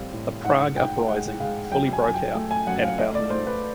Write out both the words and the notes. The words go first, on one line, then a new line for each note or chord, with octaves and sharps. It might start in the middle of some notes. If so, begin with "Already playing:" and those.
The Prague Uprising fully broke out at about noon.
Already playing: A2 G3 C4 F5
A2
G#2 F#5
G#2 G5
G#3 F#5
G#3 F5
F#2 G5
G#5
F#2 G#5
G5
A3
G#5
F#2 F#5
F5
A3 D#5
D5
A3 C5
B4